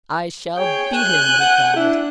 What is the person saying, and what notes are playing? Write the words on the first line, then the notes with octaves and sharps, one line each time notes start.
"I shall beat him!" he cried.
G#4 C#5 G5
G#5 F#6 G6
F#5
D4 E4